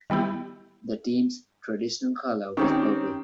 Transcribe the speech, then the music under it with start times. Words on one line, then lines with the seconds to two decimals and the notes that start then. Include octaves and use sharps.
The team's traditional color was purple.
0.10 D#3 G3 B3 E4 G4
2.57 D#3 C4 C#4 G4 C#5